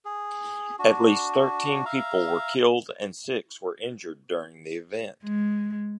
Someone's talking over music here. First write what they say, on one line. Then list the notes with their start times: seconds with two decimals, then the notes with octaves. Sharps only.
At least thirteen people were killed and six were injured during the event.
0.05 G#4
0.79 D4 F#4
1.86 E5 F5 A#5
5.24 G#3